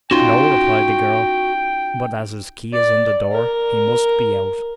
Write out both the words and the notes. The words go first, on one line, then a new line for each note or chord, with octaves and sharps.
"No," replied the girl, "but as his key is in the door, he must be out."
C#4 D#4 F4 F#4 G5 C6
D5
A#4